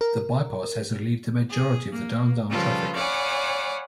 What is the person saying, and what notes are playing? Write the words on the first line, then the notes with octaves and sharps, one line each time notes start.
The bypass has relieved a majority of the downtown traffic.
A#4
G#4
A#3
C#3 F3 G3 F4 A4 B4
C#5 D5 F5 F#5 G#5 B5